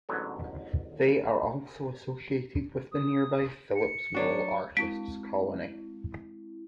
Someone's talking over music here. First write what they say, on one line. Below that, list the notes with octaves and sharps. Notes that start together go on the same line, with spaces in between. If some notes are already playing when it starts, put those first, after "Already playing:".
They are also associated with the nearby Phillips Mill artists colony.
A1 G#2 D3 F#3 B3
D#6
C#7
F#3 D4 F#4
G#3 C4 E4 B6 D7